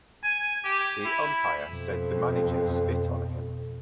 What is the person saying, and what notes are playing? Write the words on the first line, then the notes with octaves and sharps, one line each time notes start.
The umpire said the manager spit on him.
G#5
G4
E4
F2 B2